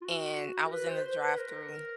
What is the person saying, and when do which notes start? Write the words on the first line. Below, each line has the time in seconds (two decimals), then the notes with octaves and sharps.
and I was in the drive-through,
0.02 F4
0.05 F#4
0.66 A#4
0.72 B4
0.89 C5
1.05 C5
1.21 B4
1.38 A#4